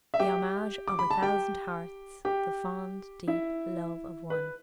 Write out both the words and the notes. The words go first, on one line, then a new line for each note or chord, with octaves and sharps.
"The homage of a thousand hearts; the fond, deep love of one."
E5
G4 G5
D6
B5
A5
G4 G5
G4 G5
E4 E5
B4